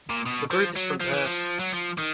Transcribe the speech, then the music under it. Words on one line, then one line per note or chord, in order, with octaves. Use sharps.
The group is from Perth.
A#2
B2
F3
F#3
F3
E3
F3
F#3
F3
D#3